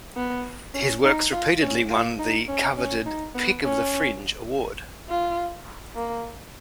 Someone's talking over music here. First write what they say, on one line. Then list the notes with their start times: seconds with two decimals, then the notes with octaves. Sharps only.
His works repeatedly won the coveted "Pick of the Fringe" award.
0.17 B3
0.74 C#4
1.04 D#4
1.32 F4
1.61 C#4
1.90 F4
2.19 D#4
2.49 C#4
2.78 C#4
3.06 D#4
3.35 B3
3.64 C#4
5.09 F4
5.96 A#3